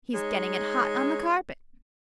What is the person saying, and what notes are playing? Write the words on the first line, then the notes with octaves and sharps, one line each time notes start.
'He's getting it hot on the carpet.'
G#3 D#4 C#5